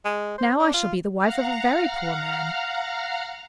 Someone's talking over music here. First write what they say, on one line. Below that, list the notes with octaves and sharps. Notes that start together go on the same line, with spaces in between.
Now I shall be the wife of a very poor man.
G#3
C5
D4
F4
F5 F#5 A#5 F6